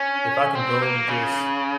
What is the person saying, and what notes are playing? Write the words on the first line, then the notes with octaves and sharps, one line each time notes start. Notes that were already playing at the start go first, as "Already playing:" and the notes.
if I can go and just
Already playing: C#4
C4
A#3
C#3